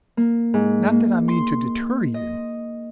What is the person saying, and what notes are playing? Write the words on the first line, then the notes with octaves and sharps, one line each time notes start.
Not that I mean to deter you.
A#3
G#2
A#3
C6
D#5